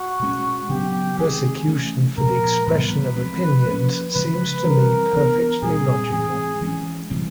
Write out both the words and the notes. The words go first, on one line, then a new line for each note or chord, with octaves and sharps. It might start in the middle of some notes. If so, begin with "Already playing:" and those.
Persecution for the expression of opinions seems to me perfectly logical.
Already playing: F#4
B2 G#3 C#4
C#3 F#3 B3 D4 G4
D#3 G#3 C4 G#4
E3 A3 C#4
A#2 F3 G#3 A#4
A2 E3 G3 B3 B4
F3 G#3 C4
F3 A#3 C#4
C#3 F3 G#3 B4
E3 G3 C4 A#4
E3 G#3 B3 D4
A#2 G3 C4 G#4
A2 E3 G#3 C4 G#4
E3 G#3 C#4
C3 E3 G3 C4